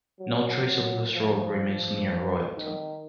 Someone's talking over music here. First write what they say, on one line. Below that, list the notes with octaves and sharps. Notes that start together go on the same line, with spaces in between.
No trace of this road remains near Royalton.
F#3
F#3
F3
F3
D#3